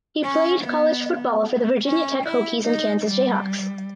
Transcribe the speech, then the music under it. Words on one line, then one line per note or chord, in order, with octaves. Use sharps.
He played college football for the Virginia Tech Hokies and Kansas Jayhawks.
C#4
B3
B3
C#4
E4
D#4
G3